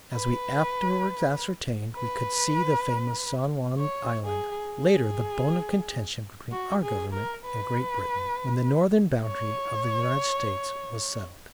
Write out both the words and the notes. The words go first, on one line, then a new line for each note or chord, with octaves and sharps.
As we afterwards ascertained, we could see the famous San Juan Island, later the bone of contention between our government and Great Britain, when the northern boundary of the United States was settled.
B4
B4
C#5
G#4
G#4
F#4
G#4
A#4
B4
C#5